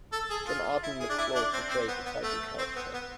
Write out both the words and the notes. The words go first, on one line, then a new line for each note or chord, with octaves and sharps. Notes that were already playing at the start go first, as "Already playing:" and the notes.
John Arden McClure portrayed the title character.
A4
G#4
F4
E4
G#4
D4
E4
D4
C4
C4
B3
B3
A3
C4
B3
B3